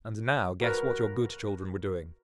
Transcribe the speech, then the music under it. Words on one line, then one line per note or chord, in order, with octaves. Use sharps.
And now, guess what your good children were doing?
F#4 A#4 B4